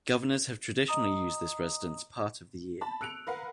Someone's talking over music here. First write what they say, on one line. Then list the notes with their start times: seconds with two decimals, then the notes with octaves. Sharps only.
Governors have traditionally used this residence part of the year.
0.88 D#5 A#5 D#6
2.81 A5 B5
3.01 E6 F#6 C#7 D7 F7
3.27 A#4 B4 F5 F#5